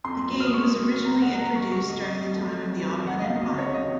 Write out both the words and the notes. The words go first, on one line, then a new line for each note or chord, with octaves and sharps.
The game was originally introduced during the time of the Ottoman Empire.
F2 C6
C#3 F#3
F6
D#6
F2 C#6
C#3
F#3
C#2 A#5
F#5
C#3
A3 A#5
C#2 C#6
C#6
C#3 A3
D#5
F2 D#5
D#3 F#3 A3
F2
D#3 F#3 A3
C#2 F#5
D#5
F5
C3 D#3 F#3 A#3
D#5
C#2 C#5
D#5
C3 D#3